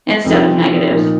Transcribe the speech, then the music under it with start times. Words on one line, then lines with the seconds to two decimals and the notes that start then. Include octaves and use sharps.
instead of negative,
0.25 F2 C3 F3 C4 D#4
0.90 A#2 F3 A#3 D#4